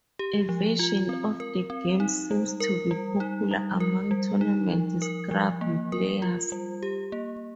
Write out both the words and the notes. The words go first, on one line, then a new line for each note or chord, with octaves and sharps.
A version of the game seems to be popular among tournament Scrabble players.
G4
F3
F4
C4
A#4
C4
D#4
G3
A#4
G3
D#4
G3
A#4
G3
D#4
F3
A#4
F3
A#3
A#4
F4
G3
G4
A#3